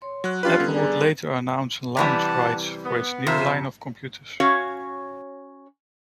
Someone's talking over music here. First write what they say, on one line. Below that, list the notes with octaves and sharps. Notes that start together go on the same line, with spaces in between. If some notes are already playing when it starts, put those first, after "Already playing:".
Apple would later announce launch rights for its new line of computers.
C#5 C6
F#3 F#6
C#4 D4 F4 G4 B4
D3 G3 B3
G#4 D5 G#5 A#5
C3 E3 G3 D5 F#5 A5
B3
F2 C3 F4 C5 E5
C#4 F#4 C#5 F5